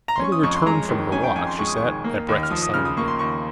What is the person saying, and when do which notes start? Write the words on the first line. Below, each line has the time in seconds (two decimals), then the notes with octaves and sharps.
Having returned from her walk she sat at breakfast silently.
0.08 A#5
0.16 C6
0.20 C#4 C#6
0.32 D#6
0.43 F2 C#6
0.55 C6
0.66 G#3 A#5
0.89 D#3
1.12 C#4 G#5
1.24 G5
1.36 F2 G#5
1.47 C6
1.59 G#3 C#6
1.67 D#6
1.77 C#6
1.82 D#3
2.04 A#3
2.28 D#2
2.43 F6
2.50 F3 D#6
2.62 D#6
2.74 C#3 F6
2.85 D#6
2.97 A#3 C#6
3.08 C6
3.19 D#2 C#6